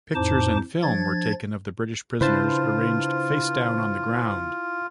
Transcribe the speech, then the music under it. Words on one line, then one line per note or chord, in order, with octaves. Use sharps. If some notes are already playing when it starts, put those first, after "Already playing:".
Pictures and film were taken of the British prisoners arranged face-down on the ground.
F2 A2 D#4 C5 A5 D6
F3 D4 G#6 A6
C#3 D4 E4 F4 B4 C5 A5